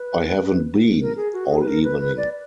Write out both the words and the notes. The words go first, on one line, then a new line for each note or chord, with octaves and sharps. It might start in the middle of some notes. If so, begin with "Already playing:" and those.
I haven't been, all evening.
Already playing: B4
A#4
G#4
F#4
G#4
B4
A#4
B4
B4
D5